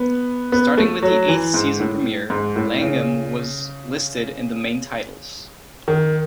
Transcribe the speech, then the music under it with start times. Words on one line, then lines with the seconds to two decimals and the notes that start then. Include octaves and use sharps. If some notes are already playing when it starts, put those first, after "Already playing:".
Starting with the eighth season premiere, Langham was listed in the main titles.
Already playing: B3
0.52 B3
0.78 A3
1.02 F#3
1.28 E3
1.54 G#2
1.80 A2
2.30 G#2
2.56 A2
2.81 C#3
5.88 D#3